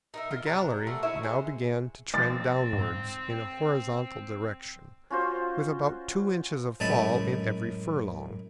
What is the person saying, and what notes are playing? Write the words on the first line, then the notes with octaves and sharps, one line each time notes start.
The gallery now began to trend downwards in a horizontal direction, with about two inches of fall in every furlong.
D#4 A#4 E5
F4
C3 D4 G4 A#5
F3 A3 A#3 F#4
D#4 E4 C#5 E5
G#3 C4
F3 G#3 C4 A6
G#2
C#4 F4 F#4 C5
F#2 A2 G#3 C#4 A5 B5